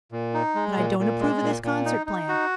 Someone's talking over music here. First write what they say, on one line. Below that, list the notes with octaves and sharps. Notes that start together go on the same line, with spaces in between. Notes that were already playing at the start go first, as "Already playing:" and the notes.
But I don't approve of this concert plan.
A#2
D#4
G#3
A#2
A#2
G#3
A#2
A#2
D#4
D#4
F#4